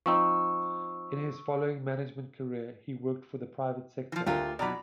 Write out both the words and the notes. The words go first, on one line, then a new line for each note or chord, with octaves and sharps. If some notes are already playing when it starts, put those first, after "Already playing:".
In his following management career he worked for the private sector.
F3 C4 D#4 C#6 E6
E3 F3
D2 F4 G4 A#4
B2 F#3 D5 A#5 B5